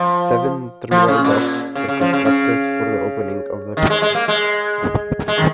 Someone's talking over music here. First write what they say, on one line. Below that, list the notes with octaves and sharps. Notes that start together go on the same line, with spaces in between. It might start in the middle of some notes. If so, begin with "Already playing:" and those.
Seven terminal docks were constructed for the opening of the canal.
Already playing: F3
F3
C#3
A#2
C#3
C#3
F3
C#3
C#3
D#3
G#3
G#3
A#3
G#3
G#3
D#3